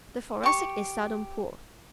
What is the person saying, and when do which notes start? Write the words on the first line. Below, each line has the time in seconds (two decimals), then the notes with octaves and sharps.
The Thoracic is seldom poor.
0.43 G4 C#6